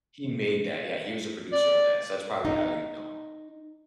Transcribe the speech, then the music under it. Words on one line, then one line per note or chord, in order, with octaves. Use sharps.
He made that, yeah, he was a producer on that, so that's probably how you'd know him.
D5
D#4